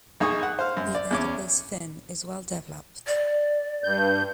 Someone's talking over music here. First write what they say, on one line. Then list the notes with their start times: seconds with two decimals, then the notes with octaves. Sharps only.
The adipose fin is well developed.
0.20 B1 D#4 G#4 C#6 D#6
0.43 F#5
0.59 C5 F5
0.77 F#2
0.95 D5
1.11 E2 C#4 D6
3.07 D5
3.84 G2 G6